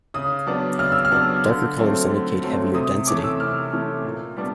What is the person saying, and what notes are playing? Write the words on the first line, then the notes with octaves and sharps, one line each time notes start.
Darker colors indicate heavier density.
C#3 D#6
F#3 B3 D4
C#3 F6
E6
F6
F#3 B3 D4
D3
F#3 A3 C4
D3
F#3 A3 C4
C3 D#6
E3 A3 C#4 D6
E6
C3 F6
E3 A3 C#4
A#2
G3 B3 D4